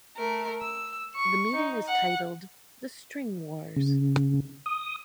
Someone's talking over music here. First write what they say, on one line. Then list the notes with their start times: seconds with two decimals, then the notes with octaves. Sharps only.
The meeting was titled "The String Wars".
0.17 A3 A#4
0.61 E6
1.16 C#6
1.53 D#4
1.88 F#5
3.76 C#3
4.66 D#6